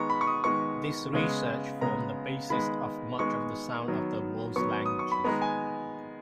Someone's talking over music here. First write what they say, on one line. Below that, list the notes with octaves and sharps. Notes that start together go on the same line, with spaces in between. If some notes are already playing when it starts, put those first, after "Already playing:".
This research formed the basis of much of "The Sounds of the World's Languages".
Already playing: D#3 G#3 B3 A#5 C#6
B5
C#6
D#6
D#3 G#3 B3 C#6
C#3 G#3 B3
C#3 G#3 B3 A#5
D#3 G#3 B3 B5
D#3 G#3 B3 C#6
D#3 F#3 B3
D#3 F#3 B3 C#6
D#6
C#6
B5
D#3 G#3 B3 A#5
G#5